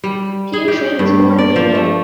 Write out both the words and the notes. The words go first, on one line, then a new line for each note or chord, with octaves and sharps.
Hieu Trinh was born in Vietnam.
G3
G#4
G4
G2
D5
F3
A3